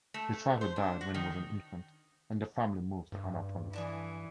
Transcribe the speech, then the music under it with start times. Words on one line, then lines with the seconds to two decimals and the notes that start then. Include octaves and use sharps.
His father died when he was an infant, and the family moved to Annapolis.
0.14 A3
0.61 C5
0.76 D4
1.01 F#4
1.14 D#3
3.12 G2
3.73 D3 E3 D4 G#4